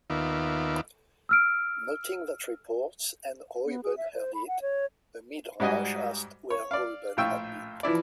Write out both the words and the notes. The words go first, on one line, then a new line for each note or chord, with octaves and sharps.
Noting that reports, "And Reuben heard it," a Midrash asked where Reuben had been.
D#2 D#3 B3 F4 E5 D6
E6 F6 D7
B3
G#4
E5
C5
B5
F#5
C#5
G#2 G3 F#4 D#5 G#5
C#5
D5 F5
A#1 A2 F4 G5 C#6 E6
E3 F3 E4 D5